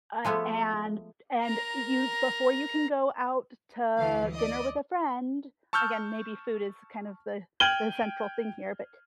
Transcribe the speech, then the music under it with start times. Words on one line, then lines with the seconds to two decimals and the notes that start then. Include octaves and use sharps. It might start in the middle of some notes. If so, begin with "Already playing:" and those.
Uh, and and you before you can go out to dinner with a friend, again, maybe food is kind of the the central thing here, but,
0.25 F3 G#3 A3 B3
1.44 A#4 A#5
3.97 D2 E3 F5
4.33 D5 D#5
5.73 A5 C#6 E6 F6 G6
7.60 G5 F6 G#6 D#7 F#7 G7